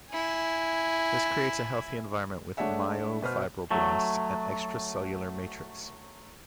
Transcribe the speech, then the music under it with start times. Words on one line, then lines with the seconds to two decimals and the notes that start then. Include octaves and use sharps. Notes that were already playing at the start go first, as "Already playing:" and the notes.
This creates a healthy environment with myofibroblasts and extracellular matrix.
0.12 E4 G#5
2.57 G#3 A3 D4 C#5 E5 F#5
3.22 B2 B4 C5 F6
3.71 F#3 A3